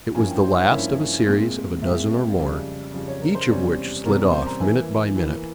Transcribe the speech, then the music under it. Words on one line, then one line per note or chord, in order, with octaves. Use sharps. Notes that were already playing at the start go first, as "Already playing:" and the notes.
It was the last of a series of a dozen or more, each of which slid off minute by minute.
G2 F3 A#3 C#4 E4 G#5
G5
C5
C#5
G2 F3 A#3 C#4 E4 E5
A#2 G#3 C4
A#2 G#3 C4 E5
F2 C#3 G3
F2 C#3 G3
C#5
A#4
C5
E2 C3 G3 C#4
E2 C3 G3 C#4 A#4
C5
A#5
E3 A#3 E4 G#5
E3 A#3 E4